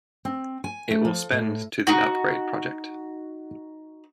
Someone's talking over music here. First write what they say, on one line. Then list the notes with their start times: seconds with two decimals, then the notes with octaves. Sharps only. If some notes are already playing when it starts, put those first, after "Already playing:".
It will spend to the upgrade project.
0.25 C4
0.64 G#5
0.90 A3
1.05 F3
1.31 A2
1.87 D#4 F#4